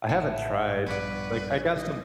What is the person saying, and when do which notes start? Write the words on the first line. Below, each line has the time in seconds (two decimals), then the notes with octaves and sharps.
I haven't tried. Like, I got some
0.09 A1 A2 E4 E5 F#5 A5
0.86 A#1 G2 B3 B4 D5 C#6
1.76 D#3 G3 D#5